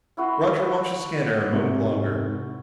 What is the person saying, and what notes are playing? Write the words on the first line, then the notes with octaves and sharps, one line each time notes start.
Roger watched the scanner a moment longer.
E4 F#4 C5
G#2 C3